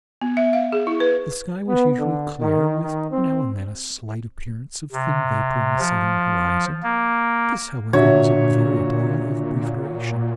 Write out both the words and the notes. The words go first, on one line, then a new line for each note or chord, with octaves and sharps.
The sky was usually clear, with now and then a slight appearance of thin vapour in the southern horizon--this, however, was invariably of brief duration.
B3
E5
F5
G#4
E4
B4
B3
D3
D#3
D#3
C4
C3
F3
A#3
A#2 D3 D4 F#4 C#5 E5